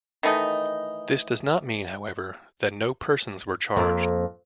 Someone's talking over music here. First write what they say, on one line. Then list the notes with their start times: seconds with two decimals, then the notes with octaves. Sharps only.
This does not mean, however that no persons were charged.
0.23 D#3 E3 A3 D#4
3.77 F2 A#3